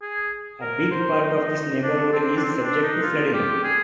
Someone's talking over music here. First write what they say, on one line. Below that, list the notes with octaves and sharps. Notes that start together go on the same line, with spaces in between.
A big part of this neighborhood is subject to flooding.
G#4
A#4
C5
D#4
D4
C4
D4
C4
D4
D#4
F4
G4
G#4